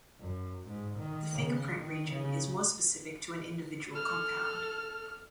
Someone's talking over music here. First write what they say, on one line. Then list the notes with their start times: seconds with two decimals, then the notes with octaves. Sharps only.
The fingerprint region is more specific to an individual compound.
0.20 F#2
0.67 G#2
0.99 D#3
1.33 C#3
1.78 D#3
2.10 C#3
3.92 A4 F6